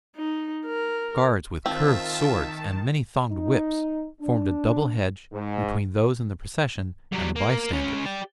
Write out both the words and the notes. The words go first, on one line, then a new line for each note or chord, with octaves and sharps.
Guards with curved swords and many-thonged whips formed a double hedge between those in the procession and the bystanders.
D#4
A#4
D#3 C4 F4 E5 A5
D#4
D4
G#2
F#3 G3
A#3
G#3 C#4
G4 D5